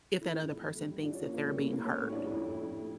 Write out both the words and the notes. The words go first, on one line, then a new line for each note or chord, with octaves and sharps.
if that other person thinks that they're being heard.
D3 E4
F2
G2
G3
F3 D4
C#4
A#2 A#3
A#3
G3 A3
A#3
E3
A#3
A2 C#4
C#4
G3
D4
F2 E4
F2
E4
A2